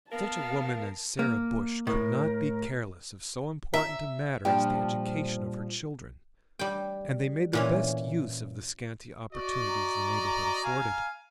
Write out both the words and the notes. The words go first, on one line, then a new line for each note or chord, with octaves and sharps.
Such a woman as Sarah Bush could not be careless of so important a matter as the education of her children, and they made the best use of the scanty opportunities the neighborhood afforded.
B3 A#4 F5 A5
A#3
A2 A#4
E5 A#5
A#2 F3 G3 D4 G5
G3 G5
A#2 E3 C#4
F#4 D5 D#5
A#5
F5 G#5